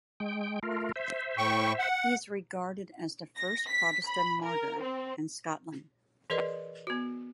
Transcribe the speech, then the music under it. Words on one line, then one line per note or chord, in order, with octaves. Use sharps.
He is regarded as the first Protestant martyr in Scotland.
G#3 G5
A3 F4 A#4
C5 E5
A2 G5 C#6
F#5
A#6
B6
B5
A#4
C4
E3 G#4 A#4 B4 D5 D#5
B3 F#4